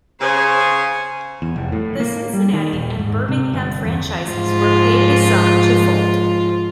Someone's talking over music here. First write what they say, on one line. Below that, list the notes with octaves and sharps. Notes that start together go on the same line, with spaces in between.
The Cincinnati and Birmingham franchises were paid a sum to fold.
C#3 C5 G#5
E2
F1
A2
A#3
G3
D#3
D#1
G#2
C3
G1
E2
G#2 F3 F4